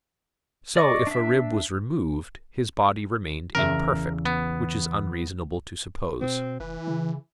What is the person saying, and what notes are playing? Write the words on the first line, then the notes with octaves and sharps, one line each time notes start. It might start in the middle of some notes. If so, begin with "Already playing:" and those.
So, if a rib was removed, his body remained imperfect; which is unreasonable to suppose.
D5 D#5 C#6 D6
D4 E5
E2 C#3 A#4 E5
B3
B2 C4
F1 E3 B4
C#3